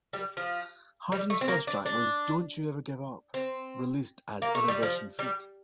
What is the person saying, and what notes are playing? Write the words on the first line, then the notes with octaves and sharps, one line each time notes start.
Harden's first track was "Don't You Ever Give Up", released as Innervision feat.
G3
F3
G3
A3
C4
A#3
D4
D4
C4
A#3
A3
G3
F3
G3